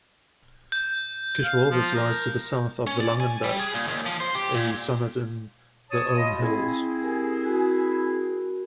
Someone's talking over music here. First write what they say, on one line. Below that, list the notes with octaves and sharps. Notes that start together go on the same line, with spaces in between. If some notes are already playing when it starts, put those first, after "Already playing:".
Kirchworbis lies to the south of the Langenberg, a summit in the Ohm Hills.
G6
F5
F3
A#4
C#4
D5
G#5
G3
G#4
A#2
D#2
F3
C5
G4
A#2
C#5 A5 D#6
B2 D#5 F5 B5 C6
C4 E4 G#4
G4 A#4 G#5
F#4 A#4